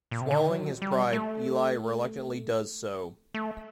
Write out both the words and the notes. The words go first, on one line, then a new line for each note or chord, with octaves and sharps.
Swallowing his pride, Eli reluctantly does so.
A#2
C3
D3
D#3
F#3
G3
A3
A3